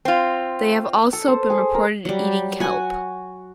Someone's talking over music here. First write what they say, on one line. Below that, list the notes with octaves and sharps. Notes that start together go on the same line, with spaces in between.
They have also been reported eating kelp.
C4 F4
A4
C5
G#4
A#4
F#3 G3
F#4 G#5